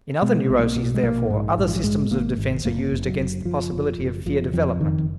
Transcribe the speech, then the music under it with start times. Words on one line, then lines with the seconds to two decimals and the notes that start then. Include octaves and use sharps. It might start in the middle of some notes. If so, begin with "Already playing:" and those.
In other neuroses, therefore, other systems of defense are used against the possibility of fear development.
0.22 B2 G#3
0.50 B1
0.59 G#3
0.63 A#3
0.76 B2
0.94 G#3
1.03 A#1 A#3
1.30 G#2 G#3
1.58 A#1
1.68 F3
1.76 F#3
1.84 G#2 G#3
2.11 G#1 A#3
2.38 G#1
2.65 F#1 A#3
2.92 F#1
3.06 F#3
3.19 F#1
3.45 F#1 F3
3.73 F#1
3.99 F#1
4.26 F#1 F3
4.53 F2 F3
4.80 F#1 D#3